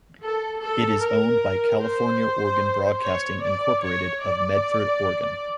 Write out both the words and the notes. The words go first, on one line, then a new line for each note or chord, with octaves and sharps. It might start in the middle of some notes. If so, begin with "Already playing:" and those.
It is owned by California Oregon Broadcasting, Incorporated of Medford, Oregon.
A4
A4
A#4
C5
C#5
D5
C#5
D5